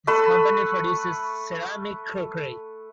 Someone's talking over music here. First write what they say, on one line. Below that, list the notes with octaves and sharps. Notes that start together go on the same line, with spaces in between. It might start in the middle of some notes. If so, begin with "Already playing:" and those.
This company produces ceramic crockery.
A3 B4 E6